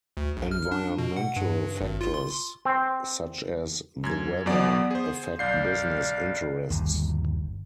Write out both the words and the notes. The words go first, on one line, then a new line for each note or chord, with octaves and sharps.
Environmental factors, such as the weather, affect business interests.
D2
A#1
F6
D4
B2
F#5
G2
G#1
F4
C6
C4 C5
F#2 G#6
E2 F#3 B3 D5
G#4 C5
B1 D5 F5 G6 C7
G1 D#2